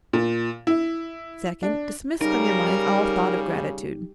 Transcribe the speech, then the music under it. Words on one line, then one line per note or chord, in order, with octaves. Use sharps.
Second, Dismiss from your minds all thought of gratitude.
A#2
E4
D4
C#3 G3 D#4 A#4